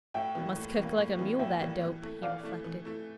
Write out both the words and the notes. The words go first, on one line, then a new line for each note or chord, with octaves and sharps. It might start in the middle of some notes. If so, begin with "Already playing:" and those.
"Must kick like a mule, that dope!" he reflected.
A2 E5 G5
E3 G3 A#3
A2
E3 G3 A#3
A2
E3 G3 A#3
A2 E5 G5
E3 G3 A#3
E3
A3 E4
E3 D5 F5
A3 E4
E3
A3 E4